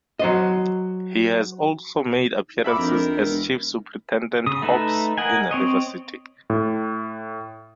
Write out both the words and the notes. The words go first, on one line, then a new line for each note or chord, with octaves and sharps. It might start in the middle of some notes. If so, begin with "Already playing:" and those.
He has also made appearances as Chief Superintendent Hobbs in River City.
F#3 C5 D#5
E5 B5 D6
F2 D#3 D4 A#4
E1
C#3 D#6
A3 D#4 B4 E5
A#4 D#5 F#5 G#5
C4 C#5 D#5
A2